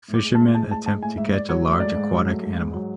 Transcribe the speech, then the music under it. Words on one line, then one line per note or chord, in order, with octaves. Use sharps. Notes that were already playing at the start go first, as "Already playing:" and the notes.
Fisherman attempt to catch a large aquatic animal.
A2
D6
G#3
A5
A2
G#3 A5
A2 A5
G#3 A5
A2 G#5
G#2 E5
G#2 D5
F#3 C#5
A3
G#2 D5
G#2
F#3
A3
G#2
G#2
F#3